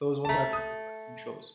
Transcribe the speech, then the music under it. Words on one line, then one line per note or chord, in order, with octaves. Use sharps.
that was one of my favorite cartoon shows.
A5
A3 A#5
D#6